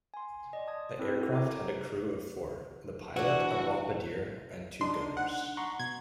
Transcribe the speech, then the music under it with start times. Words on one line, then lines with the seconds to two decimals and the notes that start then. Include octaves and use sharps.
The aircraft had a crew of four, the pilot, a bombardier, and two gunners.
0.14 G#5 C6
0.53 D5 D#5
0.67 A5 D#6 G#6
0.99 C4 E4 A4 A#4 C5
1.16 F#4 A4
1.32 A4 A#4 C#5 A#5 D6
3.16 E3 D4 F#4
4.81 D4 D#4 C6
5.17 F#5
5.57 A#5 C6 C#6
5.80 B2 G#6